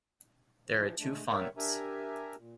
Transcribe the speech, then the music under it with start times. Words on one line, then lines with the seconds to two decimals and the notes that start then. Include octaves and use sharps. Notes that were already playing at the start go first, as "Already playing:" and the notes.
There are two fonts.
0.68 E3 F3
0.99 G#3 A3 D4
1.30 A#4 C#5 D5 E5 F#5 G5
1.57 D4 G4 A#4 E5 G#5 A#5
2.37 A#2